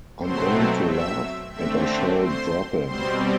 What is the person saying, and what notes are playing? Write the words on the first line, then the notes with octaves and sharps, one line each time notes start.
I'm going to laugh, and I shall drop 'em.
B2 F#3 A3 C4 C5 C6
E5 E6
D3 A3 C4 E5 E6
C5 C6
B2 G3 C4 C5 C6